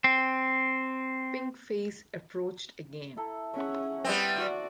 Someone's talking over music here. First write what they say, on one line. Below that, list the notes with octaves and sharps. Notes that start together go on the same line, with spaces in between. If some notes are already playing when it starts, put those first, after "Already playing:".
Pink face approached again.
C4
E4 A4 A#5
C#4 G#4 C#5 E5 F#5
G3 B3 C4 C5 E5
F#4 D5